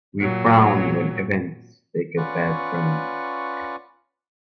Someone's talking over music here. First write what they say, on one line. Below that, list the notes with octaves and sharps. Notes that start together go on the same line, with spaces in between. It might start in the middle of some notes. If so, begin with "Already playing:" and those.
We frown when events take a bad turn.
A#2 F#3
C#4 F4 B4 D5 F#5 C#6